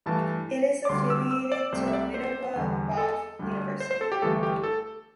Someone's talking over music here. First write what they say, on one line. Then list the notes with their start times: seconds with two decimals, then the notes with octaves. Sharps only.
It is affiliated to Vinoba Bhave University.
0.06 G2 E3 A3 A5
0.85 D6
0.89 D2 D3 G3 C6
1.10 E6
1.31 E6
1.52 D5
1.72 C2 C3 A3 C5
1.88 E5
1.93 D5
2.14 C5
2.56 E2 D3 G3
2.97 A4
3.39 D2 D3 G3
3.80 C5
3.91 C5
4.01 A4
4.12 G4
4.22 G1 G2 E3 A3 A4
4.43 G4
4.63 A4